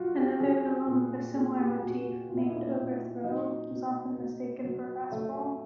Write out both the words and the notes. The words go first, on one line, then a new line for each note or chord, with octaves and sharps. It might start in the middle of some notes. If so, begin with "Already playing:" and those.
Another villain with a similar motif, named Overthrow, was often mistaken for Fastball.
Already playing: F#3 F4 F#4
G4
F#3 G#4
A#2
A#2 G#4
G4
A#2 F#4
F#4
A#2 F4
E4
D#4
E4
A#2
F#3 D#4
B2
B2
F#3
F#3 A3